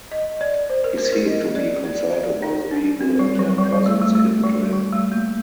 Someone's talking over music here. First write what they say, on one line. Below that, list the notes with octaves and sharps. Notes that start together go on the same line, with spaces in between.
He seemed to be consulted by the people and had presents given to him.
D#5
D5
C5
A#4
C5
A#4
D#5
D5
D5
D5
D#4
D4
C4
G3
F#3
G3
G3
A3
A3
A3
G3
G3
A3
A#3